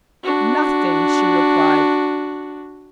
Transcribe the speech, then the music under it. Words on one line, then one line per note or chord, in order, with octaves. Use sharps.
"Nothing!" she replied.
D4 F#4